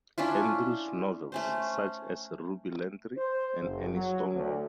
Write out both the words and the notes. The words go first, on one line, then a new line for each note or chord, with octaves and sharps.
Andrews novels, such as Ruby Landry and Annie Stonewall.
C#4 D4 E4 F4
A3 C#4 C5
C5
F#1
F#3
D2